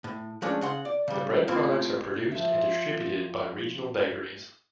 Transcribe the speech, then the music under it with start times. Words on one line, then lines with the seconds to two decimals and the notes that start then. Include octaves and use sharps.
The bread products are produced and distributed by regional bakeries.
0.04 A2
0.42 F3 G#3 A3 C#4 D4
0.61 C#3 F#5 C6
0.85 D5
1.08 C#3 G3
1.47 A2 A#3 C4 F4
2.32 F3 E5